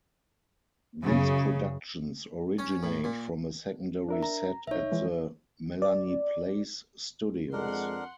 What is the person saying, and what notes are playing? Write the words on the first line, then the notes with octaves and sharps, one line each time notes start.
These productions originate from a secondary set at the Melanie Place studios.
F#2 C#3
C#4
A2
A#2
D4 A#4 E5
A#5
C2 D#4 C#5 E5
E3 F3 G#3
D5
F2 G#3 D4 A#4 F#5 C6